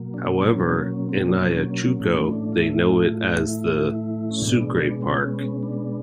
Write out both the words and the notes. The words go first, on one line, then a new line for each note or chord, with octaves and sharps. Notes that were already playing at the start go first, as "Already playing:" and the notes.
However, in Ayacucho, they know it as the "Sucre park".
Already playing: B2 F#3 A#3
D4
C#4
C#4
C#4
C4
D4
C#4
A2 E3 A3 C#4
D4
F4
E4
F4
E4
C#4
B2 G#3 B3 D4
C#4
D4